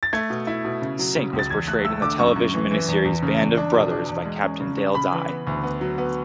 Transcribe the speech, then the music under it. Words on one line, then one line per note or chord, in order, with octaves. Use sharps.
Sink was portrayed in the television miniseries "Band of Brothers" by Captain Dale Dye.
A6
A3 G#6
B2
E4
B2
C#3
F#3
C#3
C#2
A6
E2 G#6
A3 F#6
A3 E6
D3 D6
F#2 C#6
F#2
E3
E3
E2
E2
C#3
E2
D4
B2
D4
E2
G#3
C#4
C#3
C#4
C#3 B5
E3
B3
D2
B3
F#3
B3